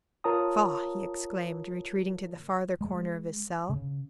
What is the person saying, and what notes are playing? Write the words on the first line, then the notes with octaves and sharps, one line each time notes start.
"Faugh!" he exclaimed, retreating to the farther corner of his cell.
F4 A#4 C#5 A5 A#5 D#6
G#3
C#3